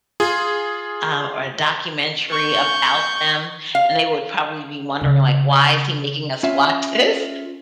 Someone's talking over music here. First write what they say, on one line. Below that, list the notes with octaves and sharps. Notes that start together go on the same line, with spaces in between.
um, or documentary about them. And they would probably be wondering like, "Why is he making us watch this?"
F4 G#4
C#6 G6
F5
C#3 F3
C#4 F4 E5